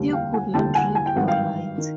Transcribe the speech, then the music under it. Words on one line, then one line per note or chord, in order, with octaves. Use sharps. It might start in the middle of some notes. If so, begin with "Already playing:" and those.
He could not read or write.
Already playing: F1 D#2 D3 G3
F5 G5
F#5 G#5
F1 D#2 D3 G3 G5 A5
F#5 G#5
G#5
G5
G#1 G2 D#3 F#5
F5 G5
D#3